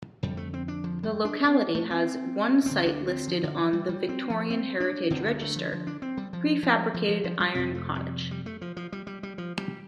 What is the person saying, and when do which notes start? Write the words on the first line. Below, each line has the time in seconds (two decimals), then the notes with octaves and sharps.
The locality has one site listed on the Victorian Heritage Register, Prefabricated Iron Cottage.
0.23 F2 D3 G3
0.37 A3
0.54 C4
0.68 D4
0.84 F3
1.03 G3
1.25 D4
1.45 C4
1.75 A3
1.90 C4
2.66 D2 D3 C4
2.78 C4
2.86 D4
3.07 C4
3.28 F3
3.43 D3
3.58 F3
3.73 G3
3.89 G3
4.09 C4
4.30 F3
4.50 C4
4.80 D4
5.10 D2 D3 C4
5.26 A3
5.41 A3
5.56 F3
5.72 F3
5.87 D4
6.02 C4
6.17 G3
6.33 F3
6.63 F3
6.94 F3
7.09 F3
7.24 F3
7.40 G3
7.55 F2 C3 C4
7.75 A3
7.95 G3
8.31 G3
8.46 A3
8.61 F3
8.77 F3
8.92 G3
9.07 G3
9.23 G3
9.38 F3
9.58 G3